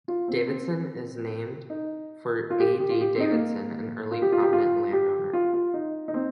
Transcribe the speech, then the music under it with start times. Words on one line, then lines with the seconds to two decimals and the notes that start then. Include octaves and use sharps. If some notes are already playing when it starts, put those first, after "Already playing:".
Davidson is named for A. D. Davidson, an early prominent landowner.
0.08 F4
0.28 C4
0.47 C4
1.70 D#4
2.50 F4
2.60 G4
2.80 G4
2.90 F4
3.01 G4
3.16 C4
3.20 D#4
3.31 A#3
4.11 F4
4.22 G4
4.32 F4
4.42 G4
4.53 F4
4.93 G4
5.33 F4
5.53 F4
5.74 D#4
6.08 D#4
6.14 C4